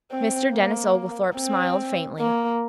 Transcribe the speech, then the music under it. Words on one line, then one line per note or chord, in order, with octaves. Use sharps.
Mr. Denis Oglethorpe smiled faintly.
C4
A#3
C4
A#3